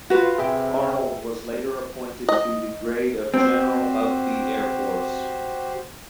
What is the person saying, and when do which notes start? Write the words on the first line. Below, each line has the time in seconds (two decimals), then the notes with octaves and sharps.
Arnold was later appointed to the grade of General of the Air Force.
0.10 F4 F#4 B4
0.38 C3 G#4 E5 G5
2.29 D#5
3.34 C4 F#4 G4 C5